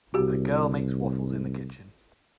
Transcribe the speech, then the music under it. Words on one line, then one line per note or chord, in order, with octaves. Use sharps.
A girl makes waffles in the kitchen.
C2 F#4 G4